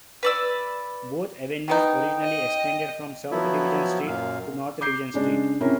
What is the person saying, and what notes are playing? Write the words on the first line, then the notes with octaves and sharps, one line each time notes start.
Both avenues originally extended from South Division Street to North Division Street.
B4 D5 E6
D#3 B3 D#4 G5
D#5
F3 F#3 B3 E4
F#2 A#2 F5
D6 G6 C7
C#3 G#3 D4
C3 C#4 E4 A#4